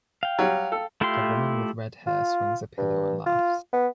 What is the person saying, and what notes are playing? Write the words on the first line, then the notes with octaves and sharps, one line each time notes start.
A woman with redhair swings a pillow and laughs.
F5 G5
F#3 G3
A4
A3 E4 F4 G4 C6
F4
G2
F4
B3